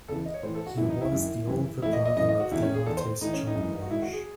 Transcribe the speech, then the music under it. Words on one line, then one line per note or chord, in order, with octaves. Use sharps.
He was the older brother of the artist John Nash.
E2 C#3 E3 A4
D#5
C#5
A2 E3 C5
A4
F#4
F#2 C#3 E3 E4
D#4
E4
F#2 D#3
F#2 E3
A2 E3 E4
D#5
D#5
F#2 E3 D#5
D#5
F#4
E2 C3 D#3 E4
C#4
G#4
E2 D#3 A4
C5
A2 E3 D#4
C#4
D#4
F#2 E3
F#4
G#2 D#3 E4
F#4
G#4